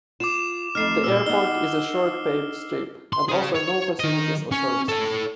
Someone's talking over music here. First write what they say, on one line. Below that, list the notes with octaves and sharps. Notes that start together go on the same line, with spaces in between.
The airport is a short paved strip, and offer no facilities or services.
F4 D6 E7
F2 A3 D#4 F6 C7
F#2 A#2 C#4 E6
B3 D#4 G7
C6
G#4 C#5
C#5
D#3 D#5
C#4
A4 C#5